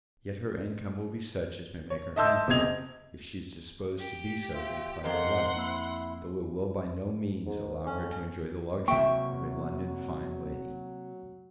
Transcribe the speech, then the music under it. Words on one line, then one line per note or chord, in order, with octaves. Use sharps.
Yet her income will be such as may make her happy, if she is disposed to be so in private life; though it will by no means allow her to enjoy the luxury of a London fine lady.
C#5
D#5 E5 A5 C6 E6 G6
F#1 C3 D#5 G#6 F7
G4
F4 E5
F2 A#4 C5 D#5 F#5 C6
A#3 E4 E6
G#2
F2 C#4
C3 F#3 A#3 E5 G5 C#6